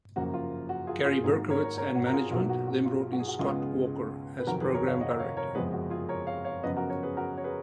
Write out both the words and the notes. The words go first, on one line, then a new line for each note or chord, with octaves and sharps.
Gary Berkowitz and management then brought in Scott Walker, as program director.
F#1 F#2 F3 A#3 F#4
F4
F#4
F4 G#4
F4 G#4
G#1 G#2 F#3 A#3 F4 G#4
A#4 C#5
A#4 C#5
A#4 C#5
F#4
A#4
F4 G#4
B1 B2 F#3 A#3 F4
F#4
F#4
F4
F#4
G#4
F#4
C#2 C#3 G#3 B3 F4 G#4
B4
F1 F2 D#3 F#3 F#4 A#4
G#4 B4
A#4 C#5
C#5 F5
D#5 F#5
C#5 F5
A#4 C#5
F#1 F2 F3 G#3 B3 G#4 B4
F#4
F4 G#4
A#4 C#5
C#5 F5
C#5 F5
F#2 C#3 F3 B3 B4 D#5
F#4 A#4
A#4 C#5
G#4 B4
F#4 A#4
C#5
G#4 B4